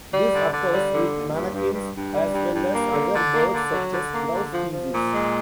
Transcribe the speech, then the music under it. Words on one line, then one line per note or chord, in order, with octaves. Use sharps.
This occurs with manakins, as well as other birds such as grouse species.
G3
D3
D3
G3
D3
D#2
G2
G2
G2
G2
G3
G2
G2
A#3
D3
D3
A#3
D3
F#3
D3
A#3
D3
F3
F3
A#2
G#3